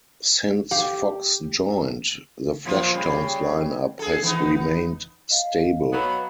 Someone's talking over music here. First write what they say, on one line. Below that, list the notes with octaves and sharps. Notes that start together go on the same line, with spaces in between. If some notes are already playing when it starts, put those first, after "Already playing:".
Since Fox joined, the Fleshtones lineup has remained stable.
G4 F5
A#2 F3 F4
C#3 G3
G#4 A4
E3 B3 D#4
D#5 F5
F#3 B3 B5